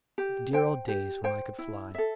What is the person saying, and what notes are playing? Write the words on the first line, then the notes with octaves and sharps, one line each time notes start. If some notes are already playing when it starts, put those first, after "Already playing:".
"The dear old days when I could fly!"
G4
C5 G5
G4
C5 G5
E4
A4 E5